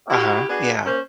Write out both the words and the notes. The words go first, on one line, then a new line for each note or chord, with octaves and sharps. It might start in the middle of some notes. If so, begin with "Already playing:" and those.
Uh-huh, yeah.
E4 F#4 G4
B3 D4 F#4 G#4
A#3 C#4 C5